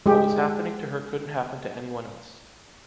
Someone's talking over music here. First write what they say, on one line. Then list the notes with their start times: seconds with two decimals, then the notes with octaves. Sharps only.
What was happening to her couldn’t happen to anyone else.
0.06 G#3 G4